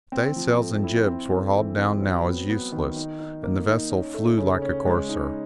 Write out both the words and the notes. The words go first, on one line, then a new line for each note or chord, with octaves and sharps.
The staysails and jibs were hauled down now as useless, and the vessel flew like a courser.
C4
F3
A3
E4
C4
A3
E3
C4
F#3
B3
B3
D#3
D#4
D#4
A#3
D#4
C#4
A3
C#3
C#4
G#3
D#4